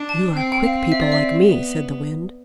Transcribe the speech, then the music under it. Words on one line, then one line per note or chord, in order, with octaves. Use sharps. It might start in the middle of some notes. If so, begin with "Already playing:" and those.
"You are quick people like me," said the Wind.
Already playing: D4
A5
C4 G5
G5
F5
E5
D5
E5
B3